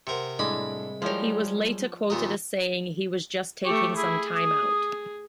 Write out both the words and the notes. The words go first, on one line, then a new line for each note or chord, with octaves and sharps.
He was later quoted as saying he was just taking some time out.
C3 A#4 C5 F#5 C#7
C2 A2 G#3 D4 B5 D6
F3 G3 G#3 E4 G4 A#4 C#5
D#2 A#2 D#5 A#5
A3 G4 C#6
E4 G#4
D#6